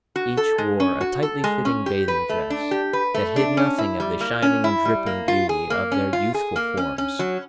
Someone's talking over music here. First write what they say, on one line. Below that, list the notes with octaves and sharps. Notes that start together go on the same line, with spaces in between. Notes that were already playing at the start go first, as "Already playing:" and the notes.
Each wore a tightly fitting bathing dress that hid nothing of the shining, dripping beauty of their youthful forms.
F#4
A4
G#3
C#4
F#4
A4
G#3
C#4
G4
B4
A3
D4
G4
B4
A3
D4
C#4
E4
G3
A#3
C#4
E4
G3
A#3
F4
G#4
A#3
C#4
F4
G#4
A#3
C#4
C#4
F#3